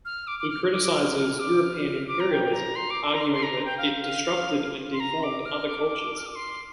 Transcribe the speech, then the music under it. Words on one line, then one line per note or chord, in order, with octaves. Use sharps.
He criticizes European imperialism, arguing that it disrupted and deformed other cultures.
F6
D6
D6
F6
D6
D6
F6
F6
D6
F6
F6
D6
A#5
G5
A#5
C6
D6
D6
A#5
C6
C6
A#5
G5
F5
F5
C6
A#5
D6
F6
D6
F6
D6
C6